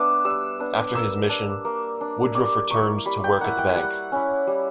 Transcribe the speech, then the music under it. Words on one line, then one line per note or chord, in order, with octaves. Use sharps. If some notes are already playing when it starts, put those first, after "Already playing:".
After his mission, Woodruff returned to work at the bank.
Already playing: B3 D4 E5 D6
G3 E6
B3 D4
A#3 E6
D4
A#3
D4
G3 D6
A#3 E4 C#6
G3 B5
G5
A#3 E4 F#5
G5
G3 F#5
C#4 E4
G3